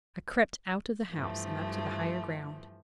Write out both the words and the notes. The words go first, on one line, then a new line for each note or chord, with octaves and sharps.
I crept out of the house, and up to the higher ground.
G2 E3 F3 A3